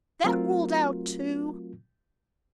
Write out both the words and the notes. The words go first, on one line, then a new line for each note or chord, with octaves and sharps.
That ruled out too?
F#3 A3 C4 F4 F#4 A#4